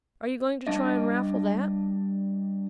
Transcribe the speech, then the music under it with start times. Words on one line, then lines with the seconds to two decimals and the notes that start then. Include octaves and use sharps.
"Are you going to try and raffle that?"
0.67 G3 D4 D#5